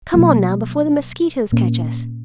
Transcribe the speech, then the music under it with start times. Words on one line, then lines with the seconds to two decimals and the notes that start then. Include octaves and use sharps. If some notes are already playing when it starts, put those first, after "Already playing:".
Come on, now, before the mosquitoes catch us!
0.14 B2 F#3 A#3
1.52 A#2 A#3 C#4